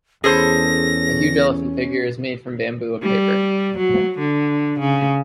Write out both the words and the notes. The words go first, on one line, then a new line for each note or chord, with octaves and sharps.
A huge elephant figure is made from bamboo and paper.
E2 C#4 G#4 A4 C5 A#6
G3
F#3
D3
C#3